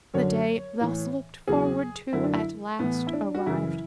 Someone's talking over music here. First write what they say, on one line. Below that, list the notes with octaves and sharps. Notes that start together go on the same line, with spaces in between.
The day thus looked forward to at last arrived.
F#2 D3 F#3 C#5
A2 E3
E2 C#3 F#3 G#4
F#2 D3 F#3 E4
D4
E4
A2 E3 B3
E4
D4
F#4
F#2 C#3 E3 E4